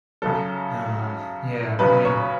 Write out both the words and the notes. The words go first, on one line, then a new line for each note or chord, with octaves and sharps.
Nah, yeah, b I mean,
F#2 C#3 F#3 A4
F#2 C#3 F#3 B4
C#5